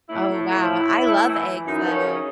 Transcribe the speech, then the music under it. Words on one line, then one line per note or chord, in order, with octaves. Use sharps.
Oh, wow, I love eggs, though.
A2 E4
A2
A2
A2
A2
A3
E3
E3
F#2 D#4
F#2 B3
C#4
C#3
D#4